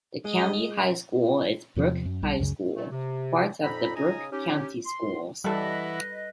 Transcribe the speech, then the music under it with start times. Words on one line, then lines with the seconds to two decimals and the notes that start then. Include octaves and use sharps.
The county high school is Brooke High School, part of Brooke County Schools.
0.25 G#3 D#5
1.76 E2 C3 F3
2.05 F#2
2.22 B1 G3
2.40 C#2 F#2 C#3
2.75 A#2 F#3 A3
2.91 C3
3.63 F2 A#2 D#4 A4 A#5 B5
3.95 C#3 D#4 D#5 G#5 A#5 D#6
4.31 C#4 D#4 G4
4.85 C6
5.44 E3 G3 E4 A4 B4 D#5 F#5